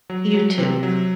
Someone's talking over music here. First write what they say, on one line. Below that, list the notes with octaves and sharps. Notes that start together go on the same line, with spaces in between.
You too.
F#3
F#3
C3
F#3